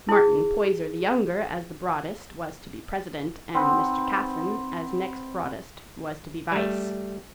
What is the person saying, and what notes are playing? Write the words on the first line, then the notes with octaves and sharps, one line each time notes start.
Martin Poyser the younger, as the broadest, was to be president, and Mr. Casson, as next broadest, was to be vice.
E4 G#4
C4 D#4 B4 F#5
G3 A3